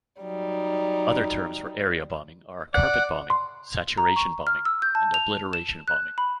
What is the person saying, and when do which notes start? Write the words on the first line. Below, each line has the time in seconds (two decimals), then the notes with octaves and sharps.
Other terms for area bombing are "carpet bombing", "saturation bombing", and "obliteration bombing".
0.20 F#3 G3 D#4
2.74 D5 F#5
3.30 C6
3.98 A#5
4.16 C#6
4.47 F6
4.65 E6
4.82 G6
4.95 A5
5.14 F7
5.53 E7
5.88 F#6
6.18 B5